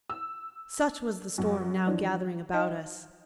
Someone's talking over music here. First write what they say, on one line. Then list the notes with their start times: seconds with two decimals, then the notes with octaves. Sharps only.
Such was the storm now gathering about us.
0.10 E6
1.38 F#2
1.86 E3 F3 D4
2.53 D#4 D#5 G5